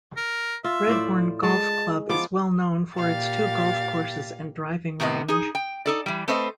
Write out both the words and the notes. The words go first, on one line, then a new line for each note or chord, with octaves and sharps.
Redbourn Golf Club is well known for its two golf courses and driving range.
A#4
F4 E5
A2 C5 D5
G#3 A5
F3 B3 D6
A#2 G4 F5 A6
A2 C3 B3 E4 D#5
D#4 G#4
G5
D#4 A4 D5
E3 G3
A3 C4 A4 B4 C5 D#5